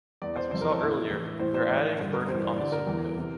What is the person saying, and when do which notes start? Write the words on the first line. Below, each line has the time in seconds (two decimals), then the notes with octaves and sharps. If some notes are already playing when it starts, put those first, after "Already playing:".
As we saw earlier, we are adding a burden on the civil code.
0.22 E2 E3 D5
0.36 C5
0.51 F2 C3 E3 C5
0.61 A#4
0.71 A4
0.80 A2 E3 E4
1.11 A2 E3
1.39 A2 E3 C5
1.54 C5
1.69 A2 E3 D5
1.99 G2 D3
2.13 A#4
2.28 G2 E3 C5
2.43 D5
2.58 G2 D3 D5
2.72 A#4
2.87 E2 E3
3.17 C3 E3